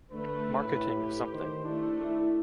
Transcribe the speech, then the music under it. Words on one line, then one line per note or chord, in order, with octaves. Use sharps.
Marketing something.
D3 A3 B4
A2
G4
D#3 C5
A3 D4 E4
E4